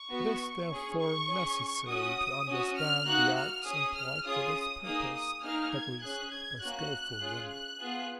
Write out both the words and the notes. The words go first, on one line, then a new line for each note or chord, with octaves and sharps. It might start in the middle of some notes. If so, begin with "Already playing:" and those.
It is, therefore, necessary to understand the arts employed for this purpose, at least by skilful women.
Already playing: C#6
B3 F#4
C#4 G#4
C#6
C#4 G#4
C#4 F#4 D#6
C#4 F#4
F6
A#3 D#4 F#4 F#6
F6
C#4 G#4 D#6
F6
C#4 F4 G#4 D#6
A#3 D#4 G#4 D#6
D#6
A#3 D#4 G#4 F6
G#6
C#4 G#4 F#6
G#6
A#3 C#4 F#4 F#6
C#4 F4 G#4
F#6
B3 F4 G#4